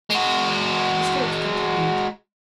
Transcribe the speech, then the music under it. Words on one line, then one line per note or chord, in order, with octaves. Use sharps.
The strokes continued.
G#3 F#4